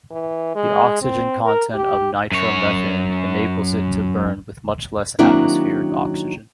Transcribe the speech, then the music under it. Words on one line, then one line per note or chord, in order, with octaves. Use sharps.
The oxygen content of nitromethane enables it to burn with much less atmospheric oxygen.
E3
G#3
C4
A#4
G4
F#2 C#5
D#3 F#3 A#3 C4 D4 E4